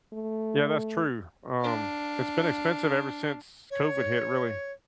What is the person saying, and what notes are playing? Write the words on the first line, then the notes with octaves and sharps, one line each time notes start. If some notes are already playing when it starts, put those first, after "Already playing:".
Yeah, that's true. Um, it's been expensive ever since COVID hit, really.
A3
D4 F5
C#5